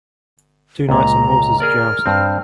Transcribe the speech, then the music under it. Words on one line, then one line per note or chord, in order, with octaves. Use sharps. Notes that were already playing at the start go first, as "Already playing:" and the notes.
Two knights on horses joust.
C#2 A#2 A#5
G#4 A#4 D5 F6
G2 C4